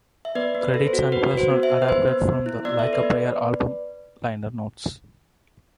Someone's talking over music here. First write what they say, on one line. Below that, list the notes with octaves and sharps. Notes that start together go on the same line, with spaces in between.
Credits and personnel adapted from "Like a Prayer" album liner notes.
E5
B3 B4 D5
B3
B4
A4
C5
F#4
F#4 B4
F#4
C5
B3
C5 E5
B3
B4
B3 C5
B3
B3
E4
B3 D5
A4 E5
B4 D5
B3